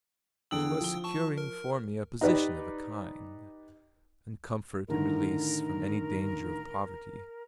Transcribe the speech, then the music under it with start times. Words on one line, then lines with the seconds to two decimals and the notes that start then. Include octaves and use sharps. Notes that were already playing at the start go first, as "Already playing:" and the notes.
She was securing for me a position of a kind, and comfort and release from any danger of poverty.
0.51 E2 D3 G5 D#6 E6 F#7
0.81 F3 G7
1.04 A5 C#6
1.38 A#4
2.21 D#4 G4 B4 D5
4.88 A2 D3 D#3 A#4